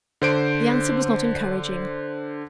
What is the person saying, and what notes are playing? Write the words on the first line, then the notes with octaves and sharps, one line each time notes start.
The answer was not encouraging.
D3 C5 D7